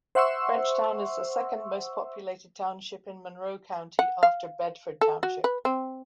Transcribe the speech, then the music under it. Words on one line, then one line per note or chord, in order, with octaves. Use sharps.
Frenchtown is the second most-populated township in Monroe County after Bedford Township.
C5 E5 F#5 C6 C#6 E6
F#5
F5
A4
F#4
B4
C4